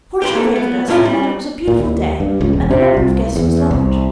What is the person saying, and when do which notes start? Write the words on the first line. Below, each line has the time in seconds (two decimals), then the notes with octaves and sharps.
Fortune favored us in that it was a beautiful day and the number of guests was large.
0.22 G4 B4 C6
0.35 A#3 A4
0.56 B3
0.88 C2 A2 C3 C#4 E4 F4
1.05 G3
1.68 A#2
1.79 D#2
2.20 G2
2.41 C#2
2.53 E1
2.71 C3
2.97 C2
3.36 E2
3.71 C2